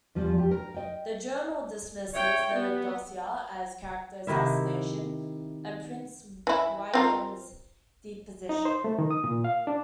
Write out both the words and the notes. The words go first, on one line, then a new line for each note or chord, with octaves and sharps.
The "Journal" dismisses the dossier as character assassination and prints Wigand's deposition.
E2 F3 G3
G4
A#4
D#5 G5
C#5 E5 G5
B3 G4
C3 D#3 E4 E5
E3 E4
C4 F4 A#4
D#4
C5
A3
D#3
D#6
A#2
F5
D4